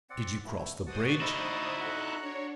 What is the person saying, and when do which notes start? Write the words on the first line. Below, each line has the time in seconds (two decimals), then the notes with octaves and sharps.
"Did you cross the bridge?"
0.10 C4 D5 F#5
0.46 A3 E4
0.86 F#4 C5 D5 A5 C#6 D#6
1.21 D#4 E4
1.81 F#4 A4 F#5 A#5 F#6
2.20 D4 C#5